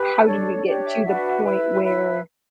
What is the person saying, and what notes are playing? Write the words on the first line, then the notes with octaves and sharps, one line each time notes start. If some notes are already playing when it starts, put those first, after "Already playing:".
How did we get to the point where
Already playing: G4 B4
D4 A4 C#5 D5
D4 G4 C#5 D5
E5
D4 F#4 B4
E4 B4
E4 B4 E5